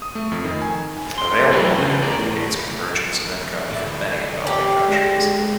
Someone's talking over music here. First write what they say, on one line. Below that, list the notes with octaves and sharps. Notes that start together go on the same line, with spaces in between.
Available data indicates convergence of income for many developing countries.
D#6
A3
F2
D#3
G#5
C6
F#3 A3 B3 C4 E4 B4
C#3 F3 B3 D4
A#4 D5
A2
D3 E4
G4 D5
G#3